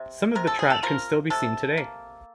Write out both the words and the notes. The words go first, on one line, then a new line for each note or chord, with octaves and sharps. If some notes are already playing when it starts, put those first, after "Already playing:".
Some of the track can still be seen today.
Already playing: C3
C3 A#4
A4
G#4
A4
F3 A#4
C3 A4
A#3